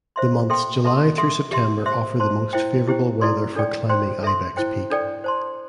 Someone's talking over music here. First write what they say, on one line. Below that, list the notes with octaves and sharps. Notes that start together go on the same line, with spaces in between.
The months July through September offer the most favorable weather for climbing Ibex Peak.
C5 E5 C6
A4 E5 G5 C6
A4 E5 A5 C6
A4 E5 C6
G4 E5 C6
C5 E5 C6
C5 A5 C6
E4 C5 E5 G5
E4 G4 C5 G5
E4 A4 D5 C6
D4 A4 D5 G5
C5 G5 C6
A4 E5 C6
E4 C5 G5
D4 A4 D5 G5
C5 A5 C6